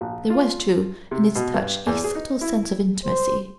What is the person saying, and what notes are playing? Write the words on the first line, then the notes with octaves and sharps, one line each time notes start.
There was, too, in its touch a subtle sense of intimacy.
A#1
F4
C3
B2
G2
E2
G#4
D#4
E4
C5